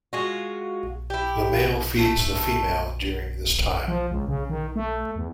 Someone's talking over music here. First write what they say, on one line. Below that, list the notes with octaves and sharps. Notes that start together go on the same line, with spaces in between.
The male feeds the female during this time.
G#3 F4 F#4
E4 G4
A3
F3
C#2
C#3
D#3
A3
E2